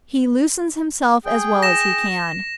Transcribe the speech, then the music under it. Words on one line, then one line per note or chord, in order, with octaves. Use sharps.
He loosens himself as well as he can.
G#4 G5
A#6 E7